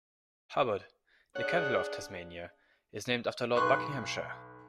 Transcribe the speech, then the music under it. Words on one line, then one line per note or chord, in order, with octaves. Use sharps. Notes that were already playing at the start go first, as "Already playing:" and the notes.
Hobart, the capital of Tasmania, is named after Lord Buckinghamshire.
D4 G#4 C#5 F#5
B1 B4 C6 C#6 F#6